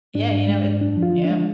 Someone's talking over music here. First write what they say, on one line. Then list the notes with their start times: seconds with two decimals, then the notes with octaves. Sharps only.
Yeah, you know, it yeah.
0.15 G#2 D4
0.32 G#2
0.48 G#3
0.64 G#2
0.81 F#2 D4
0.97 F3
1.03 F4
1.13 F3
1.25 D4
1.30 G#3